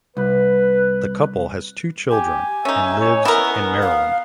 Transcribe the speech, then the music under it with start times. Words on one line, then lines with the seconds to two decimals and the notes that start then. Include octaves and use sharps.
The couple has two children and lives in Maryland.
0.17 C2 B4
2.11 G4 G#5
2.65 C#4 D#4 E5
3.01 C#5
3.25 B3 E4 A#4
3.82 F5